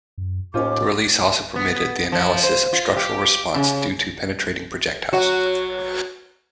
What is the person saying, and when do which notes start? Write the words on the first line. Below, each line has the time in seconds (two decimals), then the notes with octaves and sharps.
The release also permitted the analysis of structural response due to penetrating projectiles.
0.18 F#2
0.54 D#2 A2 C#4 F4 C5 D6
1.56 B3
2.12 F3
2.44 C5
2.73 F4
2.96 G4
3.55 C#3
5.13 F#3 F#4